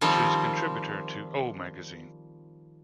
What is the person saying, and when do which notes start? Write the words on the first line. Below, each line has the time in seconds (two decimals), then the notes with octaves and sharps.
She is a contributor to "O Magazine".
0.01 D#3 F3 G3 C4